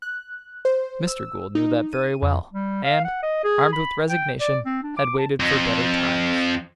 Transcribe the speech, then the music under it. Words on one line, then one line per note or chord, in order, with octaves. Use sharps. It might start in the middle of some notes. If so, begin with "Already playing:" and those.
Mr. Gould knew that very well, and, armed with resignation, had waited for better times.
F#6
C5
E6
D#4
D#7
F2
G3
F5
F#5
D#5
G#4
B5
G5
D5
C4
D4
D6
A5
F2